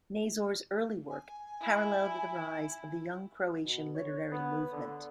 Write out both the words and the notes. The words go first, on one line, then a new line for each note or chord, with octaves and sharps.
Nazor's early work paralleled the rise of the Young Croatian literary movement.
G#5
E4
B2
C#5
B3
D3